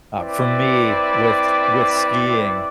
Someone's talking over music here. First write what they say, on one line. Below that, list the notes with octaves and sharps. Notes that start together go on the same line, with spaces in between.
Uh, for me, with with skiing,
C4 E4 B4 D5